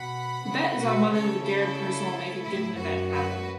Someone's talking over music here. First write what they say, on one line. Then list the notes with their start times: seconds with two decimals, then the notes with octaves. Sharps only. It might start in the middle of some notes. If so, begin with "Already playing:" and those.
The bet is on whether the "dared" person will make a given event happen.
Already playing: B2 F#5 B5
0.45 C#3
0.78 B2 F#4 B4
1.11 C#3 A4 C#5
1.44 E4 A4
2.44 A2 E4
2.77 F#2 F#4
3.10 F#4 B4